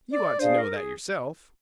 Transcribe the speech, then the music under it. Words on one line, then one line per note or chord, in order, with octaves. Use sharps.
You ought to know that yourself.
D5
D4 G#4 C5 D5 F5
A#4
G#4